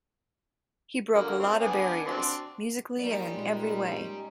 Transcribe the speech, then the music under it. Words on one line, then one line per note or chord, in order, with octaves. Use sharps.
He broke a lot of barriers, musically and in every way.
D3 F#3 A#3
C4 C#5
B3 D4 G#5
C4 D4 F#4
F#3 A#3 C#4 D#4 G4 D5
A#2 G#3